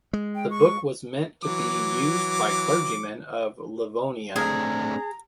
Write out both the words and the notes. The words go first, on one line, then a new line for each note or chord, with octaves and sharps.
The book was meant to be used by clergymen of Livonia.
G#3
G5
C#6
E3 F#3 D6
A3 C4 D4 G#4 A#5